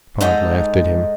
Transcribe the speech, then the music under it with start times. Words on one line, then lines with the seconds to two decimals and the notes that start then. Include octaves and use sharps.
Pod laughed at him.
0.21 G#2 D#4 A4 D#5 G5 A#5